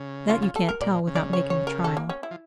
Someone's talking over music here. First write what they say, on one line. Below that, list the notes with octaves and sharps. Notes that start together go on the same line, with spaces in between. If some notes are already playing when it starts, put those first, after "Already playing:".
"That you can't tell without making the trial."
Already playing: C#3
F4
F4
A4
A#4
A#2 D5
C#3
D5
C#5
C#5
A#4
A4
A#3
C#4
E4
F3